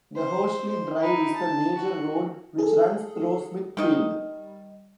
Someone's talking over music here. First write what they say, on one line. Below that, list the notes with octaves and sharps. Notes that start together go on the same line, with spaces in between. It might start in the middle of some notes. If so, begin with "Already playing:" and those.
The Horsley Drive is the major road which runs through Smithfield.
C5
C5
D#4 E4
A5
F#4
G#4 A4
D#3 G3 D#4 D#5